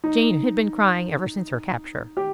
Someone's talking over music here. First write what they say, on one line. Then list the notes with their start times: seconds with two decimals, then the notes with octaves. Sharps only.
Jane had been crying ever since her capture.
0.04 D#4
2.17 G4